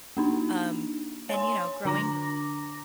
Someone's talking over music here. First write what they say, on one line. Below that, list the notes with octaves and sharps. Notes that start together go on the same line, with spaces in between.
Um, and, you know, growing
A#3 D4 D#4
C#5 G#5 C6
D3 D4 A#5 D6 A#6